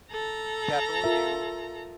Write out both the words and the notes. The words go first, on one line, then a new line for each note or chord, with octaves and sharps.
capital U,
A4 A#5
F4 A#4 E5